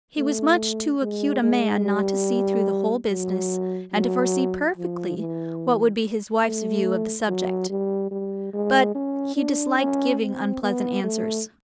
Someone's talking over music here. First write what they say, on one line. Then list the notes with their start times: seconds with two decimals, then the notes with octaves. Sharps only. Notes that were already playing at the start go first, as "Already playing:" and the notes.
He was much too acute a man not to see through the whole business, and to foresee perfectly what would be his wife's view of the subject; but he disliked giving unpleasant answers.
0.18 A3
1.02 G#3
1.42 G#3
1.84 G3
3.10 F#3
3.93 F#3
4.77 F3
5.19 E3
6.44 A3
7.28 F#3
7.69 G3
8.11 G3
8.53 G#3
8.95 C#4
9.36 D4
9.78 C#4
10.21 C4
10.62 B3
11.04 A3